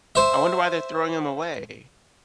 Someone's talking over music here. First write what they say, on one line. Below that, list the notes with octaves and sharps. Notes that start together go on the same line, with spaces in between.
I wonder why they're throwing 'em away.
C5 E5